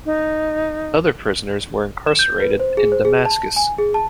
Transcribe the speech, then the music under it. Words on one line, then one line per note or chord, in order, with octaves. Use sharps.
Other prisoners were incarcerated in Damascus.
D#4
E7
G6
B4
C5
G#4
C5
G#4
A5
G#5
G#4
A5